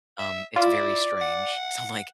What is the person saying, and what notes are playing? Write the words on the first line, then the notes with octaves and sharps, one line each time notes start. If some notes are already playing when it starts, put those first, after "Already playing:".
Um, it's very strange. So, I'm like,
E5
E4 F4 D5
F#5